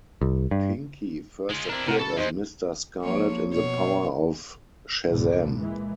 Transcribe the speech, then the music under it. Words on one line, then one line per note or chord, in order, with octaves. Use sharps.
Pinky first appeared as Mr. Scarlet in The Power of Shazam!
C2
G2
G#3 F4
C4 D4 E4 A#4
F2 C3 A#4 F#5
F#2 C#3 A4 A5
E2 D#4 C5 D#5
F3 A#3 C#5
B2 C#5
C#2 G#2 B2 D3
A#2 E3 G#3